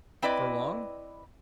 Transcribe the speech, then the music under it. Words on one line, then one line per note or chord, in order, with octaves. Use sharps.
"For long?"
C4 E4 B4 D5 D#5